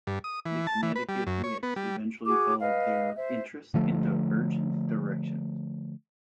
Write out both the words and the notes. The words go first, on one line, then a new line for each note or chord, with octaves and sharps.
The Connecticut Wits eventually followed their interests in divergent directions.
G2
D#6
E3
A5
E3
B4
G3
F#2
C#5
B3
G3
F#4 G#4 D6
B4 D#5 F5
C5 E5
D3 F3 A3